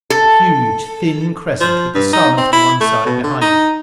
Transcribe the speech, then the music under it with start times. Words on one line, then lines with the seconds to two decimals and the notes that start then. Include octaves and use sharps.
A huge, thin crescent, with the Sun off to one side behind it.
0.10 A4
1.60 F3
1.95 G2
2.13 D#4
2.37 C4
2.53 E4
2.80 A3
3.06 B2
3.23 D3
3.41 D#4